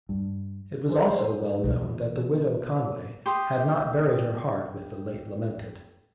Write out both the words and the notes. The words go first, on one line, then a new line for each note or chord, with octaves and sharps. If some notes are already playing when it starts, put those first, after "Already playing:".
It was also well known that the Widow Conway had not buried her heart with the late lamented.
G2
F#2 B3 C#4 G#4 C5
B2 E3
G4 C6 D#6